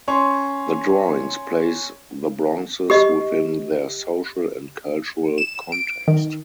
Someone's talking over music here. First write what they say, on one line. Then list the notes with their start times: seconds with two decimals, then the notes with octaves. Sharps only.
The drawings place the bronzes within their social and cultural context.
0.08 C#4 C#5 C6
2.90 G4 D#5
5.38 E7
5.72 D7
6.08 D#3